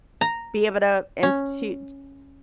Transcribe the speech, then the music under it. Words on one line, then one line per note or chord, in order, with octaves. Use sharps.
be able to institute
A#5
C#4